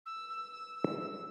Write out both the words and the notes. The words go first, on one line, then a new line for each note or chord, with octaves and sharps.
Setting out, I had three reasons for writing in the style I did.
E6
E6
E6
E6
E6
E6